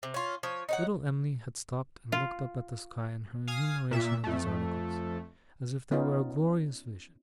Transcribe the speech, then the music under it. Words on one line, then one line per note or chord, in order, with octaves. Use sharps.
Little Em'ly had stopped and looked up at the sky in her enumeration of these articles, as if they were a glorious vision.
C3
C#4 F4
F3 C#5
D#4 C#5 F#5
F4
F5 G#5 D#6
A#2 E5
F2 A3
B3 C#4 D#4 F4